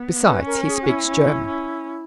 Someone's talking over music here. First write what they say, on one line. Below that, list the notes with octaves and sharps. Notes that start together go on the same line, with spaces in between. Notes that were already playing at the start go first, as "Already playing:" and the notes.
Besides, he speaks German.
Already playing: B3
C#4 B4
A#4
G#4
F#4
E4
C#4
C#4